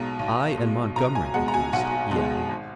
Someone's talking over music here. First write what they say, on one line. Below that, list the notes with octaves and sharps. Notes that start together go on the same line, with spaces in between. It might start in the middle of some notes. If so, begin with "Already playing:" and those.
"I and Montgomery, at least," he added.
Already playing: B1 B2 G#3 A#5
B1
B2 G#3
B1 A#5
G#5
B2 G#3 F#5
A#5
G#5
B1 F#5
B2 G#3
G#1